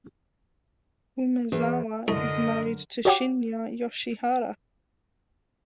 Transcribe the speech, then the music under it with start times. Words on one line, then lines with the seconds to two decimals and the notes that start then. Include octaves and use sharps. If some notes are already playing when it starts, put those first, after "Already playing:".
Umezawa is married to Shinya Yoshihara.
1.52 E2
2.08 C2 F#2 D3 A3 A#4 D#5
3.05 F#4 G4 C#5 F#5 G5 D6